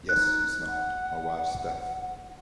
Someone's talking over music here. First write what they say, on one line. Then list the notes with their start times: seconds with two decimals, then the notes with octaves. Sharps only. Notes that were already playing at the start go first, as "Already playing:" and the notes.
"Yes," he snarled, "my wife's deaf."
0.09 D#4 F#6
0.67 F#5